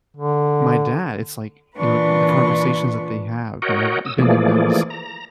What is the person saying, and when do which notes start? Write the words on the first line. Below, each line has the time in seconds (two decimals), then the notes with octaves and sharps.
my dad it's like, you know, the conversations that they have, and I've been in those
0.17 D3
1.76 A#2 E3 D4 F4 B4 C#6
3.62 F#4 A#4 C#5 D#5 F#5 G5
4.05 D#6 E6
4.19 E3 F3 A3 A#3 G#4 D5
4.90 A#5